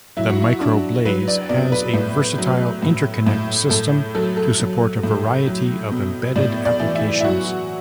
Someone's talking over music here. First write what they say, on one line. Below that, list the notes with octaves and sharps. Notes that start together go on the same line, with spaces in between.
The MicroBlaze has a versatile interconnect system to support a variety of embedded applications.
F#3 E4
F#4
E4
F#3 D4
F#3 B4
D5
B2 D5
B4
A2
F#3
A2
A2
A2 A4
F#3 A4
A4
F#3
A2
F#3
B2
A2 D5
D5
E3
E4
E4
F#3 F#4